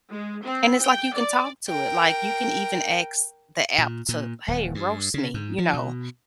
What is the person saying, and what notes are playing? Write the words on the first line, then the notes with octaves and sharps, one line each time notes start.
And it's like you can talk to it, like you can even ask the app to, "Hey, roast me," you know?
G#3
C4
G5
D5
A#4 G5
A#2
A#2
D#1
G2
C#3
G#2
F3
B2